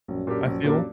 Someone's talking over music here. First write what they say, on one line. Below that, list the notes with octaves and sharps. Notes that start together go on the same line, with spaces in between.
I feel.
A#1 F#2
A#2 A#3 D4 G4
A#1 F#2
A#2 A#3 D4 G4